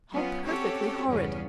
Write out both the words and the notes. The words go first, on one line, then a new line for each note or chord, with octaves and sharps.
How perfectly horrid!
F#3 B3 C#4 F4
C4 C#4 F#4 G4 A4 C#5
E2 G2 C#3 G3 B3 C#4